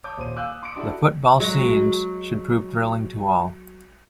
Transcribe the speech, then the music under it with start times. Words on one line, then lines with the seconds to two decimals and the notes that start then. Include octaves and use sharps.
The football scenes should prove thrilling to all.
0.04 C#5 A5 D6 D#6 G6
0.17 D#1 C5 D#7
0.36 F5 G#5 D6 E6 F#6 G6
0.49 D#6
0.63 C6 D6 D#6 C#7 D7
0.76 D4 E4 F#4 G4 A4 D5
1.40 F#3 G#3